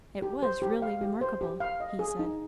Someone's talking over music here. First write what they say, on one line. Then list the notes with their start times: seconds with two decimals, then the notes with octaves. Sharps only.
"It was really remarkable," he said.
0.22 G4
0.43 C5
0.62 G4
0.82 F5
1.01 G4
1.21 C5
1.41 G4
1.60 F5
1.80 D#5
1.99 G#4
2.19 D#4